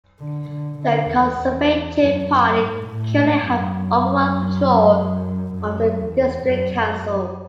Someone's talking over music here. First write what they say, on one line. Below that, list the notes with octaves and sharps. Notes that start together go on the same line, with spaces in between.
The Conservative Party currently have overall control of the district council.
D3
D3
D3
E2
E2
F#2
F#2
G#2
A2
G#2
F#2
F#2
E2
F#2
F#2